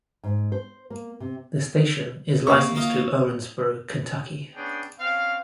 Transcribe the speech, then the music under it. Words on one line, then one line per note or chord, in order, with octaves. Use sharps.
The station is licensed to Owensboro, Kentucky.
G#2
C5
A#3
C3
C3 A#3 C#6
A#3 F4 D#5
B3 C#4 D4 G#4 G5
C4 C#4 F5